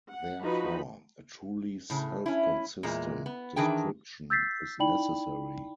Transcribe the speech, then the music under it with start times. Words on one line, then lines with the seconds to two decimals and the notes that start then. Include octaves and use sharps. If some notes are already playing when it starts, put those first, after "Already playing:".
Therefore, a truly self-consistent description is necessary.
0.10 F#5
0.44 F3 D#4 F#4 B4 B5
1.90 A2 C#3
2.26 C#4 E4
2.83 E2 A#2 G#3
3.26 B3
3.56 D#3 E3 D4 G#4 G5
4.30 E6 G6 A6 B6 C7
4.79 D#4 E4 D5 G5 B5 F#7